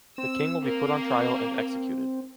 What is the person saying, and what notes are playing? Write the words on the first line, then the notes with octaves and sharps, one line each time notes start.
The king will be put on trial and executed.
C4 E6
A#3